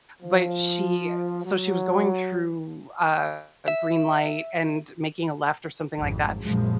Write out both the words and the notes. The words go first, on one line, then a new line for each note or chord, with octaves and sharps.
but she so she was going through a green light, and making a left or something like that,
F3
F#3
E5
G#1 F2
A#1 F#2 F3 G#3